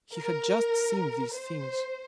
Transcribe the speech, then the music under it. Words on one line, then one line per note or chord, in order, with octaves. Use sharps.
He had just seen these things.
A#4
C5